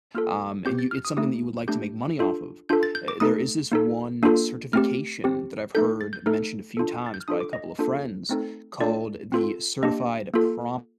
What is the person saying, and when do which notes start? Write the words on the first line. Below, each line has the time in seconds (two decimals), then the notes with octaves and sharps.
um, and you it's something that you would like to make money off of, eh, there is this one certification that I've heard mentioned a few times by a couple of friends, called the certified prompt
0.14 A#3 F4 A4 F6
0.65 C4 G4 G6
0.79 A6
0.91 F6
1.05 D#6
1.17 A3 D#4 G4 D#6
1.68 A3 D4 G4 G6
2.19 D4 F4 A4
2.69 D4 F4 A4 G6
2.83 A6
2.95 G6
3.08 D6
3.20 A3 D#4 A4 D#6
3.72 A#3 D#4 A4
4.23 A#3 D4 F4 A4
4.73 A3 C4 G4 F6
5.24 C4 G4
5.75 A3 D#4 A4 G6
6.01 A6
6.13 G6
6.26 A3 D#4 A4 F6
6.77 D4 F4 A4
7.06 A6
7.14 G6
7.21 F6
7.28 D4 F4 A4 D#6
7.40 D6
7.53 D#5
7.79 A#3 D4 F4 A4
8.29 A3 C4 D#4 A4
8.80 A3 D4 F4 A4 D5
9.32 C4 F4 A4
9.83 A#3 D4 G4 D#5
10.34 A#3 F4 A4